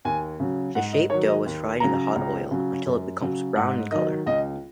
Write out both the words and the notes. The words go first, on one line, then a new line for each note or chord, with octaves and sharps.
The shaped dough is fried in hot oil, until it becomes brown in colour.
D#2 G#5
C#3 F#3
G#2 F#5
D#5
D#3 F#3 C#5
D#5
D#2
C#3 F#3 A#5
C#2
C#3 F#3
F#2
C#3 F#3
G#2 F#5
D#3 F#3 D#5
C#2 D#5